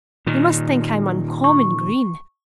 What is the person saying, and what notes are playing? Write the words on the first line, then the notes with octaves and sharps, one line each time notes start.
"They must think I'm uncommon green."
A#2 D#3
C#6